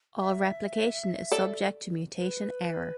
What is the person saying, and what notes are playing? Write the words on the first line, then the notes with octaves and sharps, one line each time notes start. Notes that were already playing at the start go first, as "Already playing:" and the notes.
All replication is subject to mutation error.
E5
A4 D5
B4